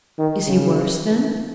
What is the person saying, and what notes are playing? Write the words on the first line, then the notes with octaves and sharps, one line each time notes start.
"Is he worse, then?"
D#3
C#3